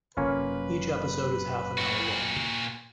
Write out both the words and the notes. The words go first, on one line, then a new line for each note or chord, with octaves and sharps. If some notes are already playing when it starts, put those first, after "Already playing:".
Each episode is half an hour long.
F#1 C3 A#3 C#4 F4 B4
A#2 F#4